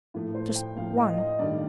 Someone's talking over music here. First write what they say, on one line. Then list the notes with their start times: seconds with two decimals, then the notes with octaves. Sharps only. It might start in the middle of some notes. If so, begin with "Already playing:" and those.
Just one?
0.14 A2 F3 A3
0.34 C5
0.55 G5
0.76 A2 F3 A3 F5
0.97 D#5
1.18 D#5
1.39 G2 D#3 A3 D5